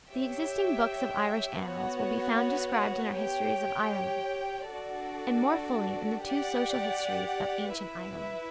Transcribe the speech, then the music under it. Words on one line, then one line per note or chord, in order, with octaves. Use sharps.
The existing books of Irish Annals will be found described in our Histories of Ireland, and more fully in the two Social Histories of Ancient Ireland.
G4 C#5 E5 G5
B3 F#4 C#5 F#5
G4 C#5 G5
D4 F#4 A4 D5
G4 D5 F#5
E4 B4 E5